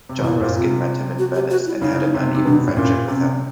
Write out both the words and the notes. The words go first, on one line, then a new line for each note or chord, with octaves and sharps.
John Ruskin met him in Venice and had an uneven friendship with him.
C3
B2
A#2 E4
A#2
C3 F4
F#4
G4
F#4
E4
C#3 D#4
E4
D#4
C3
C3 D#4
B2 D4
A2
A#2 C#4
C3 C#4